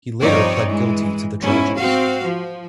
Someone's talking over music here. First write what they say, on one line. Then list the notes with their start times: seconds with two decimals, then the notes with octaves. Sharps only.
He later plead guilty to the charges.
0.21 G2 F3 C4 D#4 C#5 D5
0.66 E3 G#3
1.41 G#2 B2 C#4 E4
1.75 C4 F#4 F5
2.23 F3